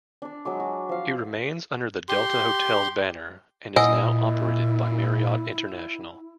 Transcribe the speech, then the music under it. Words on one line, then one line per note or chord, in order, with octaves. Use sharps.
It remains under the Delta Hotels banner and is now operated by Marriott International.
D4 D5
F#3 G#3 D6
F#4
F3 F5
G4 C6
A#2 E4 D#5 F#5 G#5 E6